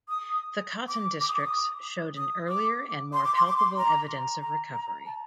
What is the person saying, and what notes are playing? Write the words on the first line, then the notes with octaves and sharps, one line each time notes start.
The cotton districts showed an earlier and more palpable evidence of recovery.
D#6
D6
D6
D#6
D6
D#6
D#6
D6
C6
D6
C6
D6
C6
A#5
A#5
A#5
A5